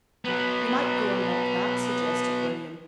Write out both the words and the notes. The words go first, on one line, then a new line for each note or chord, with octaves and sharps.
"You might go an' milk that," suggested William.
F#3 B3